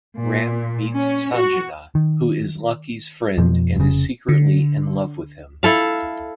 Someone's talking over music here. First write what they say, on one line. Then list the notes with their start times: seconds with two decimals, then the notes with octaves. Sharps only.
Ram meets Sanjana, who is Lucky's friend and is secretly in love with him.
0.19 A#2
0.94 C#4
1.35 F#4
1.95 D#3
3.38 F2 B2 F3
3.76 F1 C#3
4.29 D3
5.63 E4 A4 F5